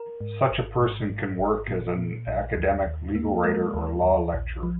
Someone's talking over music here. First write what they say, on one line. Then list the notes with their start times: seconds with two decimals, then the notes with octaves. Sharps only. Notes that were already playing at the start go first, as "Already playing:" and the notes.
Such a person can work as an academic, legal writer or law lecturer.
Already playing: A#4
0.21 G#2
0.51 G#1
0.80 G#2
1.09 G#2
1.39 G#1
1.68 A#2
1.98 A#2
2.27 A#1
2.56 D#2
2.86 D#2
3.15 A#3
3.44 G#3 A#4
3.74 D#2
4.03 D#2
4.33 A#1
4.63 F3